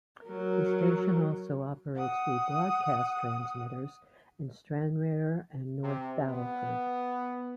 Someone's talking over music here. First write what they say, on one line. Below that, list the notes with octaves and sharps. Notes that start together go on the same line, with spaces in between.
The station also operates rebroadcast transmitters in Stranraer and North Battleford.
F#3 A#4
F#5 D#6
C3
B3